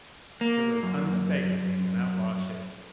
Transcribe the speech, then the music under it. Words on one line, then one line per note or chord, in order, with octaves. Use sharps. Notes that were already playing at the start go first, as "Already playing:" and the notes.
It was unmistakably an outlaw ship.
A#3
F#2